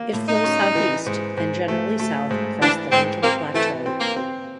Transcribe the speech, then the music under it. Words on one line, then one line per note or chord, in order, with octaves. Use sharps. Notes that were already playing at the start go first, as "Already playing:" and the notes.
It flows southeast, then generally south across the Lincoln Plateau.
Already playing: A#3
A2
D#4
C#4
E3
G#2
G#2
A3
A3
G#2
E3 D4
G#2 C4
A#3 C4
E3 A3
C4
A#3
C4